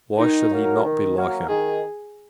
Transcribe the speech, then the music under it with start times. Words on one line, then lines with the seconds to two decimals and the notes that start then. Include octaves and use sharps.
Why should he not be like him?
0.18 D#3 D#4
0.51 F#3 A#3 F#4 A#4
0.84 D#3
1.16 F#3 A#3 F#4 A#4
1.49 D#3 G#4